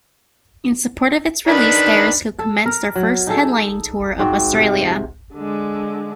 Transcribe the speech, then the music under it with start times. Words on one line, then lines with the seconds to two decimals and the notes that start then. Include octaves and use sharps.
In support of its release Gyroscope commenced their first headlining tour of Australia.
1.47 D#3 D4 B4
2.39 A4
2.66 A#4
2.96 F#3
3.27 D#4 G#4 A4
4.19 G#2 C4 F#4
4.53 C3
5.34 D3 G#3